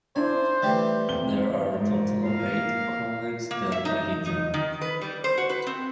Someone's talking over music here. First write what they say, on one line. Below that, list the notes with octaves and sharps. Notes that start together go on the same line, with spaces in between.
There are a total of eight convex deltahedra.
D4 E4 C5 G#5
E3 G3 A3 G4
F2 G7
G#2
A#3 F5
A#3
E5
D#4
D#4
D#3
B4
G3
C5
F#4
B4
C4